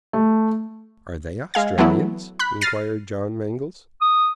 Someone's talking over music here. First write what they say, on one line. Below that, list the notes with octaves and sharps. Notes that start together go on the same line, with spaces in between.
"Are they Australians?" inquired John Mangles.
A3
G#3 F5 G#6
E3 F#3 A3 B3 E4
B5 F#6
F6 A6 A#6 C7 D#7
D#6